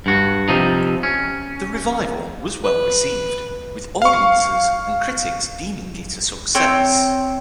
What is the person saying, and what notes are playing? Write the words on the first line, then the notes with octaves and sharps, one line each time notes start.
The revival was well-received, with audiences and critics deeming it a success.
G2 F#4
C3 F3 D#4
C#4
B4
F5 C#6
C4 C#5 G5 E6